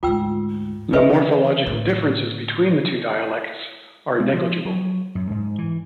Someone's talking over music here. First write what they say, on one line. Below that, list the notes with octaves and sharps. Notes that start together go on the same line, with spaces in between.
The morphological differences between the two dialects are negligible.
D2 G#2 F4 G5 E6
E3 B4 D#5 E5
A2 D3
G#3
F3
F#3
F#2
G#2
E3